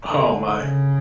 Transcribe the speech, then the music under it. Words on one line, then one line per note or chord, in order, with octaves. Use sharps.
Oh, my.
D3
C#3